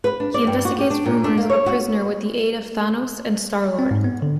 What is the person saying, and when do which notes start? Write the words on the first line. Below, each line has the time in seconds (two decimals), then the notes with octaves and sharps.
He investigates rumors of a prisoner with the aid of Thanos and Star-Lord.
0.04 B4
0.20 D4
0.34 D5
0.47 G2
0.65 F#4
0.79 G4
0.90 D4
1.06 A#2
1.24 D4
1.37 A#3
1.50 C#5
1.66 F#4
3.79 C4
3.91 G#2
4.04 B3
4.22 D3